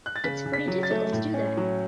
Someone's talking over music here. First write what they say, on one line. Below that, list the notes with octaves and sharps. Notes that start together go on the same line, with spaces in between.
It’s pretty difficult to do that.
F#6
A6
C#3 B6
C#3
B6
F#3
A6
A3
A2
C#4
F#3